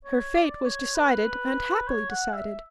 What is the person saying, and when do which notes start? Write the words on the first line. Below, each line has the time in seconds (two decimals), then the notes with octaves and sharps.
Her fate was decided and happily decided.
0.05 C#5
0.34 D5
0.66 C#5
0.95 B4
1.88 C#5
2.10 F#5
2.33 E5